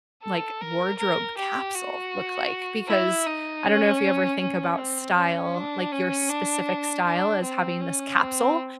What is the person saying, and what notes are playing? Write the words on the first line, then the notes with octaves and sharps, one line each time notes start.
like, wardrobe capsule look like, because I don't know if you ever think about style, like your specific style as having this capsule
A4
A#4
A#4
G4
F#4
E4
D#4
C#4
C#4
C4
C#4
D4
C#4
D4
D4
C4
C#4
C4